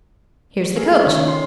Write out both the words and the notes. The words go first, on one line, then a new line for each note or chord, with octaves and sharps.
Here's the coach.
A#3 G#4 A4
D#3 C#4
C6